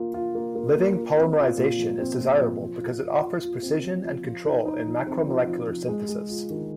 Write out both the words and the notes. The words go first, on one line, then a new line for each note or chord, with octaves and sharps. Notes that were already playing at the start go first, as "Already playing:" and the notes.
Living polymerization is desirable because it offers precision and control in macromolecular synthesis.
Already playing: A#3 F4
F4
A#3
A#3
A#3
F4
C4
F4
A#2
F3
C4
A#2
F3
F3
F4
F4
F4
F4
C4
F3
F3
F3
D#4
D#4
F3
C4
F3
F3
F3
G#3
G#3
F4
D#3